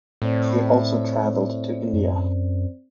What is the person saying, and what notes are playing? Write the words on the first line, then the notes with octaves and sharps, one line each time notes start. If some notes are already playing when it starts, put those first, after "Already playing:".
She also traveled to India.
A2 C4 C5 D5
F#2